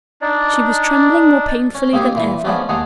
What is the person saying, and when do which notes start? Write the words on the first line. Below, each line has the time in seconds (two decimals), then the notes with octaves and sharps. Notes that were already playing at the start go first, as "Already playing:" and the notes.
She was trembling more painfully than ever.
0.22 D4 D#4 D5
1.75 C#4
1.93 G#3 A#3 C4 G4 G#4
2.15 A#2 E3
2.45 F3 G#3 B3 C#4 D4
2.69 D#2 G#3 G#4 F#5 A5 A#5